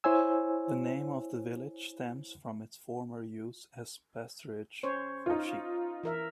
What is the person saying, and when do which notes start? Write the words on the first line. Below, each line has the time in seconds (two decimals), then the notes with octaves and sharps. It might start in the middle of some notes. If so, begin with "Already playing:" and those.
The name of the village stems from its former use as pasturage for sheep.
0.04 E4 C5 C#5 G#5 E6
4.83 C#4 C5 C#5
5.26 D#4 F4
6.03 E3 A#4 E5